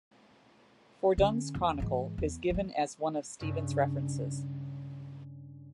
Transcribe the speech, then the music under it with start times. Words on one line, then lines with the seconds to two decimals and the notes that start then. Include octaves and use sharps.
Fordun's "Chronicle" is given as one of Stephens' references.
1.18 D3 C#4
1.55 E2
1.80 G#2 E3
2.18 E2
2.50 F3 A3
3.41 G2 C#3